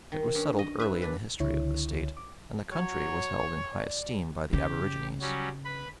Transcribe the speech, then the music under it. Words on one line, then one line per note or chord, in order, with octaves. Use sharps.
It was settled early in the history of the State, and the country was held in high esteem by the aborigines.
D#3
G2 C#4
D#5
B4 E5
D4 B4
C#2 D3 E4 C#5
D6
F#3 C#5
D5
C#3 G4
F#3 G3 C#4
B4 B5